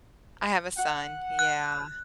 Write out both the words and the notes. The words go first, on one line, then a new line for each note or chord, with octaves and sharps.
I have a son. Yeah.
F#5
F#6